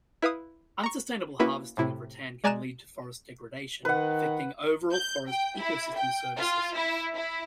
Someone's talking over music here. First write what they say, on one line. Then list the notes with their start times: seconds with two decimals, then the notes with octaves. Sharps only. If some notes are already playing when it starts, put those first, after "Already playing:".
Unsustainable harvesting of rattan can lead to forest degradation, affecting overall forest ecosystem services.
0.22 E4 B4 F5 D#6
0.83 A#5 C#6
1.39 A#3 C#4 E4 F#4 B4
1.77 A2 C3 E4
2.44 G#3 D5 G#5 A#5 F#6 E7
3.85 D#3 B4 F#5
4.91 G6
5.28 G5
5.58 E4
5.96 G5
6.36 F4
6.75 E4
7.14 E4